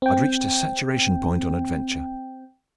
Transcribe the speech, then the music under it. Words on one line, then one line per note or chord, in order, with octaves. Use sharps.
I'd reached a saturation point on adventure.
C4 G5